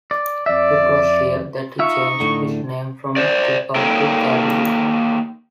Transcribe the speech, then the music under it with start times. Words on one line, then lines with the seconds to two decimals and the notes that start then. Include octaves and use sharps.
It was here that he changed his name from Diba to Kaduri.
0.11 D5
0.46 F2 D5 E5
1.79 D#4 F4 E5 C#6
2.20 A2 D3
3.16 C5 D5
3.76 A#3 D#4 A4 A#4 C#5 G5